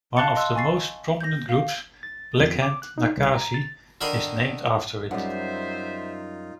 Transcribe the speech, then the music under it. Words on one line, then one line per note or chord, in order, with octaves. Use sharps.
One of the most prominent groups, Blackhand Nakasi, is named after it.
F5 A5 F#6 A6 C#7
D#5 C6 E6 F#6
G#5 C#6 A6 C7
G6 A#6
F5
A6
F2
D6
F#6
D#4
C2
A#5
A6
D3 D#3 A#4 B5 C6
F#2 G3 D#4 F4 C5 E5 F#5